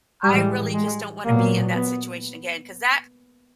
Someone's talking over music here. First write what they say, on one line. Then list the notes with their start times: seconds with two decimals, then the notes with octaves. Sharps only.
I really just don't want to be in that situation again, 'cause that
0.24 A2 E3 G3 G#3
0.74 G#3
1.24 A#2 F#3 A#3 B3
1.75 B3